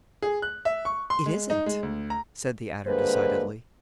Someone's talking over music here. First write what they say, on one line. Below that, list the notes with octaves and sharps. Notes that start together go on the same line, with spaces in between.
"It isn't," said the Adder decidedly.
G#4
F#6
E5
C#6
C6
G#3
D#4
G#3
D2
A#5
D3 G3 G#3 A#3 B4 C5